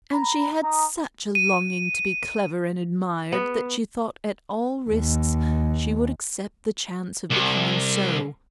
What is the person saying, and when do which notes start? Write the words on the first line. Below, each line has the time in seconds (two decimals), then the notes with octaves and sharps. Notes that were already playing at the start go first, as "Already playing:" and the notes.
And she had such a longing to be clever and admired that she thought at all risks she would accept the chance of becoming so.
0.13 A#5 B5
0.62 D#4 A#5 D#6
1.35 D#7
3.32 B3
4.90 D#2
7.30 C2